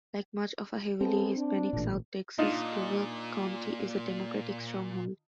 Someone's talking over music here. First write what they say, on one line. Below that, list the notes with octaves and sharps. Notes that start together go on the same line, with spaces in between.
Like much of heavily Hispanic South Texas, Duval County is a Democratic stronghold.
G#3 B3 C4 A4
D4
A1 A#2
A#2 D4 D#4 F4